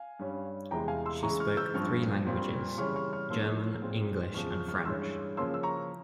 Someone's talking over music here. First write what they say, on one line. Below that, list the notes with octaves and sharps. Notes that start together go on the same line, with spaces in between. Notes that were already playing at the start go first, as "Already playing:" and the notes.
She spoke three languages: German, English, and French.
Already playing: F5 G#5
G2 G3 C#4
E2 C3 E3 G#3 G5 A#5
F5 G#5
C6 E6
C#3 E3 G#3 A#5 C#6
C#6 F6
E6 G6
G2 F3 C4 C#6 F6
A#2 G3 C4
C#3 E3 G3 C#4 C#6 F6
C#6 F6
C#6 F6
G#2 F3 A#3 C#4 C6 E6
A#2 G#3 C4
E2 C#3 F3 G#3 C#6 F6
C#6 F6
C#6 F6
G2 E3 G#3 C#4 C6 E6
C#3 F3 A#3 C#4 C6 E6
E6
A#5 C#6